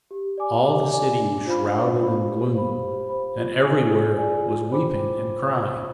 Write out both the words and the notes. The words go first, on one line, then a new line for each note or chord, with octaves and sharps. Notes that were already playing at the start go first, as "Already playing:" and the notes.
All the city was shrouded in gloom, and everywhere was weeping and crying.
G4
D5 G#5 D6
G4
D5 G#5 D6
D4
F4 C5 F5 B5
D4
F4 C5 F5 B5
G4
C5 F5 B5
G4
C5 F5 B5
F4
G#4 D5 G#5
F4
G#4 D5 G#5
F4
C5 G5 B5 D6